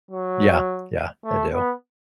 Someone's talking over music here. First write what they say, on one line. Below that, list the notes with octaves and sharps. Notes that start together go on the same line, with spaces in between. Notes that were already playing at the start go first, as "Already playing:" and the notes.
Yeah, Yeah. I do.
F#3
A3
B3